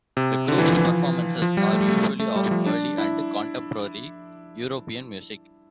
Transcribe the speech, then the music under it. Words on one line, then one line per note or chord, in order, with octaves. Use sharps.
The group's performances are usually of early and contemporary European music.
C3
D3
E3
F3
E3
F3
F3
G3
A3
G3
A3
A3
G3
F3
D4
E4